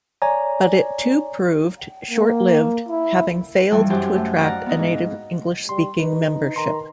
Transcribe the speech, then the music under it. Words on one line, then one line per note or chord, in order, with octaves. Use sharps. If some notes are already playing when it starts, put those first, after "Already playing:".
But it too proved short-lived, having failed to attract a native English-speaking membership.
C#5 D5 G#5 A#5
A#3
E4
G2 E3 F3 G3
F#2 E4 G4 C5 G6
A3
D5 F5 F#5 A#5
B3 D#4
G#2
G3 C6
D#4 B4
D#3 A#5 C6